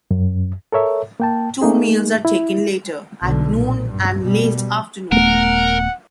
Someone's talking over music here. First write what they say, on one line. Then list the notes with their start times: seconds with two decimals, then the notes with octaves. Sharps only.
Two meals are taken later; at noon and late afternoon.
0.11 F#2
0.72 A4 A#4 C#5 E5
1.20 A#3 G5 A5
1.61 A3 A#3 D#4 G#4
2.25 E4
3.23 B1 D3
3.56 A#2
3.90 G2
4.21 B2 G3
5.12 D#1 A3 B3 A#4 F#5